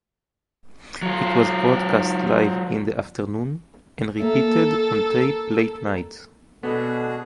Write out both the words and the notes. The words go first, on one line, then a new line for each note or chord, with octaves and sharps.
It was broadcast live in the afternoon, and repeated on tape, late night.
F#3 F4
A#3 A4 E5
B2 B3 D4 F#4 G#4 A4